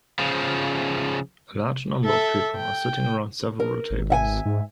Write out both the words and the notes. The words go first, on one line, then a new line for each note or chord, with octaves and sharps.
A large number of people are sitting around several tables.
C#3 F3
A4 E5
G5
A#4
G#1
E5 F#5 G#5
G#2